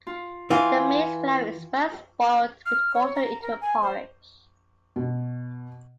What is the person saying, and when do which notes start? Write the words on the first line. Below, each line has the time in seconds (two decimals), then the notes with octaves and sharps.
The maize flour is first boiled with water into a porridge.
0.07 F4
0.50 E3 F4 G5 G#5 C6
2.65 F6
2.93 C#5
3.15 A#5
3.41 A#4
3.61 G#5
3.82 C5
4.96 B2